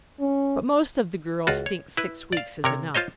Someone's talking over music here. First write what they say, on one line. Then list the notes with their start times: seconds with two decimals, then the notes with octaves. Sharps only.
"But most of the girls think six weeks is enough."
0.20 C#4
1.47 C#2 F4 F#4
1.66 C#5
1.97 E4 B4
2.33 D5 F5
2.64 C3 A#4 C#5
2.95 F4 C5 C#5 D#5